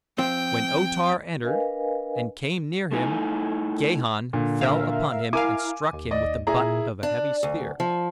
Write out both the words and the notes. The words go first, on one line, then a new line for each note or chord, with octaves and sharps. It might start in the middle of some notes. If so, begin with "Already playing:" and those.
When O-Tar entered and came near him Gahan fell upon him and struck him with the butt of a heavy spear.
F3 C4 G5
D4 A#4 B4 D#5 F5 G#5
A3 D#4 E4 G#5
A#2 D3
A#4 E5 F5
E4 A#4 F5 G#5 D6 D#7
D#2
D5 D#5
A#2 E4 G#4 A#5
D4
D2
F3